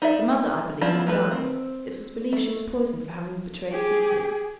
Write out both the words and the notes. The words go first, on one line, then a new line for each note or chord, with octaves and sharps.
The mother, I believe, died--it was believed she was poisoned for having betrayed secrets.
D#4 D5 E5
F3 B3 C#4 E4 D5
F3 A3 B4
C4
A3
G4 G#4